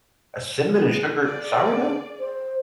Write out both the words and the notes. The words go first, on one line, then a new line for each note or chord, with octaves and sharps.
a cinnamon and sugar sourdough?
B3 G#4
G#4 D5
C5